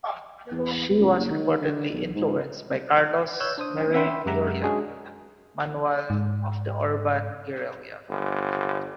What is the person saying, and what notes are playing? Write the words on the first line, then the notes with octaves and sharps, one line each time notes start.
She was reportedly influenced by Carlos Marighella's "Manual of the Urban Guerilla".
E2
C#2
F#1
D#3
D3
B1
G#2
B4 C#5 E6 F#6 G6
D4 C5 D#6
E5 F#5 G5 B5 C6
F#2 G#3 G4 E5 F#5 A#5
G#3 C#4 D4 F#4 G#4
G#2
G1